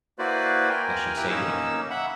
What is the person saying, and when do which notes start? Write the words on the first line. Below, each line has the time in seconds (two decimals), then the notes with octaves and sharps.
I should say not.
0.19 A#3 E4 F#4 B4 C5 D5
0.69 A#4 G5 G#5
1.17 E4 G4 A#4 B4
1.30 A#3 C#4 D#4 E6
1.90 E5 F#5 B5